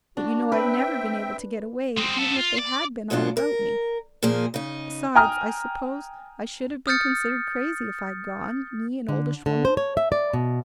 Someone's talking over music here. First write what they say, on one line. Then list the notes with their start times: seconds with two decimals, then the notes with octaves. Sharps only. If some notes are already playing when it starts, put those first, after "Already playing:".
But you know I've never been able to get away, even if they had been all about me. Besides, I suppose I should have been considered crazy if I had gone, me, an oldish woman!
0.17 D4 F#4
0.52 C4 B4 E5 G5
1.98 G#3 C4
2.18 B3 A4
2.36 F4
2.59 D5
3.10 G#2 B2 F#3 D4 F4
3.37 A#4
4.23 A#2 F3 A#3 G#4
4.54 C#3 D#4
5.15 G5 G#5 A#5 D#6 F6
6.87 D#6 F6 G6 A6 C#7
9.08 D3
9.46 D3
9.65 C5
9.77 C#5
9.97 E5
10.12 D5
10.33 B2